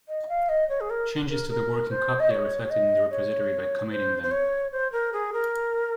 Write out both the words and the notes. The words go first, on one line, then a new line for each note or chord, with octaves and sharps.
Changes to the working copy are reflected in the repository by "committing" them.
D#5
F5
D#5
C#5
G#4
A#4
A#4
A#4
C5
D#5
C#5
C#5
D#5
C#5
C5
C5
C#5
C5
A#4
G#4
A#4